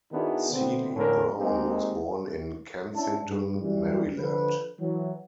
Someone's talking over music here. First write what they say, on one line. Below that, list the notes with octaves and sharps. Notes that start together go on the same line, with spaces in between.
Seely-Brown was born in Kensington, Maryland.
D#3 B3 D4 E4 F#4 G#4
B2 D3 A3 B3 C4
A2 D3 F3 C#4 A4 A#4
G#3 A#3 C4 D#4 G4 G#4
C#4 D4 E4 E5 A5
G2
F#2 E3 G3
D3 F3 B4
E3 F#3